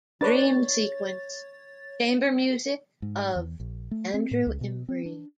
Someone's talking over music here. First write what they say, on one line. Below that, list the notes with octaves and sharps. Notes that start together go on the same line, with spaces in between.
"Dream Sequence - Chamber Music of Andrew Imbrie".
D4 B4 C#5 A6
G#2
E2
A#1
A3
C4
A2
C#2
B2
C4
D4